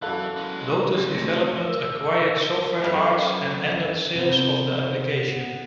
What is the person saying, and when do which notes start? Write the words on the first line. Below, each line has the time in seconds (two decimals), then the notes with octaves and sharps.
Lotus Development acquired Software Arts and ended sales of the application.
0.02 F#2 E3 E4 A4 F5 F#6
0.36 G#3 B3 F#7
0.93 F2
1.14 A3 A#6 C#7
1.64 A#4 E6
2.84 F#2 A4 B4 F5
4.15 C3 B3 C4 C5
5.24 B3